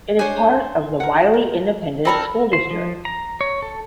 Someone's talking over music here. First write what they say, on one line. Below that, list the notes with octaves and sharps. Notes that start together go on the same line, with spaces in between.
It is part of the Wylie Independent School District.
D4 C5 C#5 G#5
A#4 F#5
A#4
C4 A4 A#4 D5 B5
C5
F3
A#5
C#5
A4